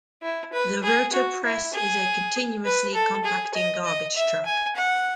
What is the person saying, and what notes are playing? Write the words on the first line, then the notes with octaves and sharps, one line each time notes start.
The Rotopress is a continuously compacting garbage truck.
E4
B4
G#4
F#4
E4
G#4
B4
A4
G#4
D#5
D#5
E5
G#5
F#5